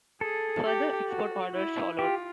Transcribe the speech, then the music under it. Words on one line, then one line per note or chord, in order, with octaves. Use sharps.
Further export orders followed.
G#4 A4
G4
F#4
E4
F4 G4